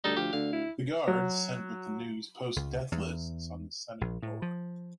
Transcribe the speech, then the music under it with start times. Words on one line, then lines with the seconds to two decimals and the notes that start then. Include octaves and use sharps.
The guards sent with the news post death lists on the senate door.
0.04 D2 G3 D#4 A4
0.17 F3 G4
0.33 D2 D3 F5
0.53 E4
1.07 F#3
2.56 C#2
2.92 E2
4.01 A#1
4.22 A2
4.42 F3